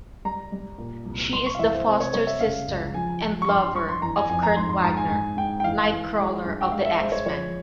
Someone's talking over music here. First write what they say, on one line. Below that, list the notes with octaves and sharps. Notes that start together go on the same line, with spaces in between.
She is the foster sister and lover of Kurt Wagner, Nightcrawler of the X-Men.
G3 A#5
G3
A#2
C2
G3 C6
C#6
F5
E3 E5
C5
C3 C5
C#5
G3 C#5
E5
C#3 F5
C#2
F3 G#5
F3
C#6
G2 C6
C6
G2 C#6
C6
E3 A#5
G#5
F2 G#5
A#5
G#2 C6
C6
G#2 A#5
G#5
G#2 G#5
G#2 G5
G5
E3 F5
E3
G#3
G2
G5
G#3 F5
E5
G#3 C5
C#5
F3 C#5